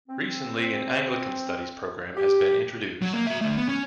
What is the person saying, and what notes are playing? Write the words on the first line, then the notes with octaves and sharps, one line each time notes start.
Recently an Anglican Studies Programme has been introduced.
C4
G4
F#3
A#3
F#4 E5
D3 A3
B3
C#4